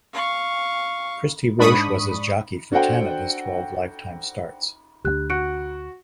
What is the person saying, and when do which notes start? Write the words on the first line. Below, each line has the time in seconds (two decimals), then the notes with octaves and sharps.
Christy Roche was his jockey for ten of his twelve liftetime starts.
0.13 F5 C#6
1.59 G#2 D4 B5 C#6 D#6
2.72 D4 F#4 A4 C5 F#5 G5
5.05 D2 G#3 D4 G4 F#6
5.30 F#4 F#6 C#7 D7